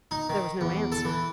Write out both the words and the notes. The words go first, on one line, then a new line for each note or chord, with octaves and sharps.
There was no answer.
D#4
D#3
E2
A4
E3